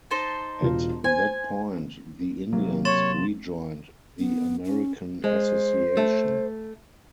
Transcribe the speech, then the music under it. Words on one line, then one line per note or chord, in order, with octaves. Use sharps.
At that point the Indians rejoined the American Association.
D#4 C5 A5
E1 F4
C5 G#5
C3 F#3 A#3
C#5 C6 A6 E7
B3
C#4
G#3 C5
A3